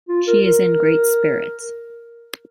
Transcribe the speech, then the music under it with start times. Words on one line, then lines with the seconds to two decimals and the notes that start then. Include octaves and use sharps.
She is in great spirits.
0.08 F4
0.27 A#4
0.45 A#4